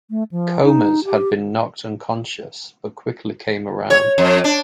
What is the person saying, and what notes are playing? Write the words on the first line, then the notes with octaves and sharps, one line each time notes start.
Comas had been knocked unconscious but quickly came around.
A3
F3
D#4
G4
C#5
F2
D4